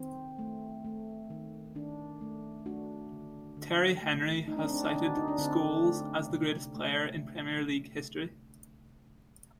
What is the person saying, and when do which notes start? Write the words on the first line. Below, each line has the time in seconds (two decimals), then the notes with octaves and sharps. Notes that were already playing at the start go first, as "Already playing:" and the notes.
Thierry Henry has cited Scholes as the greatest player in Premier League history.
Already playing: D#3 C4
0.39 A3
0.84 A3
1.30 D#3
1.75 D#3 D4
2.21 A3
2.66 A3 D4 F#4
3.12 D3
3.57 D3
4.03 A3
4.48 A3 D#4
4.57 D4
4.64 C4
4.72 D4
4.83 D#4
4.93 D3 D4
5.05 F#4
5.16 D#4
5.28 D4
5.39 D3 C4
5.85 A3
6.30 C3
6.75 A3